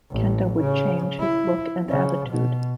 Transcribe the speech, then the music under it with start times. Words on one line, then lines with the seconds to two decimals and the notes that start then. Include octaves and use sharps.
Kenta would change his look and attitude.
0.11 A1
0.60 C#3
1.20 E4
1.88 C#3
2.29 B2